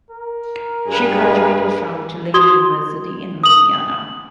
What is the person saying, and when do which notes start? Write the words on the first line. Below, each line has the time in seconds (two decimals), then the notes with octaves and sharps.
She graduated from Tulane University in Louisiana.
0.11 A#4
0.88 G2 G#4 B4
2.34 F#4 C6 D#6 G#6 G7
3.44 D#6 F#7